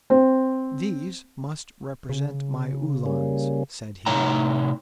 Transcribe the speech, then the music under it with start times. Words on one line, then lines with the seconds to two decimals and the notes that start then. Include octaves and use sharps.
"These must represent my Uhlans," said he.
0.10 C4
2.09 C#3
3.06 G3 A#3 C#4
4.06 A2 C3 D#4 C#5 G5 A#5